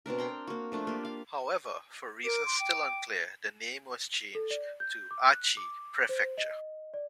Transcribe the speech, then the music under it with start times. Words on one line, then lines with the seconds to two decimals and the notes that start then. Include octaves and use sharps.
However, for reasons still unclear, the name was changed to Aichi Prefecture.
0.06 B2 C4 D4 A#4
0.18 G5 A#5 C6
0.47 A#3 F#4
0.72 F3 A3 D4 F4
0.87 A#3 G4
1.05 F5
2.25 A#4 D6
2.46 C6
2.60 G5
4.35 A4
4.51 D5
4.80 G6
5.11 D6
5.31 F#6
5.57 D6
6.09 C5
6.38 D#5
6.94 D5